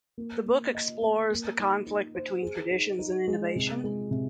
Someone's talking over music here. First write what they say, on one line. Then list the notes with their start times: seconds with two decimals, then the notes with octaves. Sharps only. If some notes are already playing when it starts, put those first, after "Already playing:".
The book explores the conflict between traditions and innovation.
0.18 A#3
0.46 A#3
0.75 D#5
1.02 A#3
1.31 A#3
1.59 D#4
1.87 D#4
2.15 C5
2.42 G#4
2.71 D#4
2.99 D#4
3.28 G#3
3.55 C3
3.84 G#3
4.11 C3